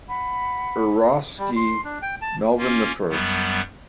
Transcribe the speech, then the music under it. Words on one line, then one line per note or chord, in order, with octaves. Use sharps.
Urofsky, Melvin the First.
F#5 B5
G3
C6
D4
G5
A5
A#3 C#4 F4
F#2 F#3 G3 B3